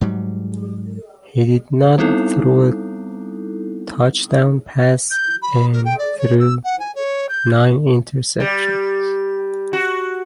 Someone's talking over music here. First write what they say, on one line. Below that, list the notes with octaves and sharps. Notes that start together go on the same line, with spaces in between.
He did not throw a touchdown pass and threw nine interceptions.
G#2 F#3 G3
G3 B3 C4 D#4 E4 A4
G6
B5
A#4
G5
D5
C#5
E6
F#5
G#5
C#5
G6
G3
F#4